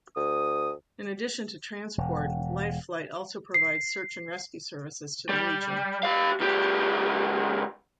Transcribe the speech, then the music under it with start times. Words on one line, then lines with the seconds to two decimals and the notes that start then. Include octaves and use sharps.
In addition to transport, Life Flight also provides search-and-rescue services to the region.
0.16 D2 D#6
1.98 E1
3.54 C7
5.29 G3
6.03 G4 F5
6.40 C#2 G4